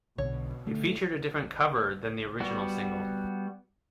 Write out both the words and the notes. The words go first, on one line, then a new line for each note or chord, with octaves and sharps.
It featured a different cover, than the original single.
B1 B2 D3 C#5
D3 A3
G3 B3 F#4